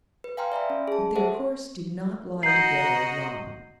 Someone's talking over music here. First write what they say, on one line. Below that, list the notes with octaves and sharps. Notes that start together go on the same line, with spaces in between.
But their course did not lie together long.
B4
F5 G5 G#5 A#5 C6 F6
D5 E5 G#5 B5
C#4
G#4 A5
G#4 A4 C5 E5 F#5 A5
F#4 D#5 A#5 G6 C7